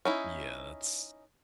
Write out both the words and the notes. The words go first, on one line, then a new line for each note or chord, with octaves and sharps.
Yeah, that's
C#4 D#4 E4